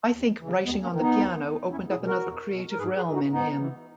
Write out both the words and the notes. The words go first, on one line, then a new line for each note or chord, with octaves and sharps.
I think writing on the piano opened up another creative realm in him.
D#2
C#3 E3
D#2 G#3 B3
A#3 C#4
D#3
B3 D#4
D#2
D#3
E2 C#4 E4
E4 G#4
B2
F#4 A#4
E2
B2
A#4
G#2 G#4 B4
G#4 B4
E3
D#4 F#4
G#2 B3 D#4
E3